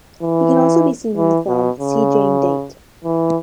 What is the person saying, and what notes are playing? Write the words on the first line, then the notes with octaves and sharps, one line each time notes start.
He can also be seen in the film "See Jane Date".
E3
E3
B2
C#3
E3